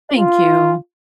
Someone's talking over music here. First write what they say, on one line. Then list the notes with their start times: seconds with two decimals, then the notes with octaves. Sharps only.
Thank you.
0.16 F4